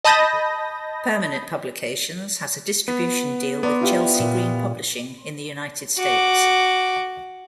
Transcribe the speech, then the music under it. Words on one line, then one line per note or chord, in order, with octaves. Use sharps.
Permanent Publications has a distribution deal with Chelsea Green Publishing in the United States.
D#5 A5 B5 D#6 G6 A#6
B3
B3 D5 A#5 C6
E4 F4 G4
A#2 D#6
F#4 D6